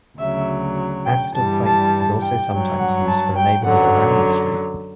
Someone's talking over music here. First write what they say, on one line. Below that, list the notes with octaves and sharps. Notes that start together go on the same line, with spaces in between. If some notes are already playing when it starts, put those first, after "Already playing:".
"Astor Place" is also sometimes used for the neighborhood around the street.
D2 C#3 F#3 E5
G5
G2 E3 G3 A5
A5
G5
G2 F#3
F#5
A5
G5
F#2 D3 F#3 F#5